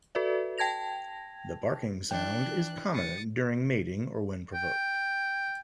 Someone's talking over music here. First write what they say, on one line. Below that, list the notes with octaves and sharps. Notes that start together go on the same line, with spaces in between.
The barking sound is common during mating or when provoked.
F#4 A4 B4 D5 E5
G5 A5 G#6 A#6 F7
E3 D4 G5 F#6
D#6 A6 C#7
G5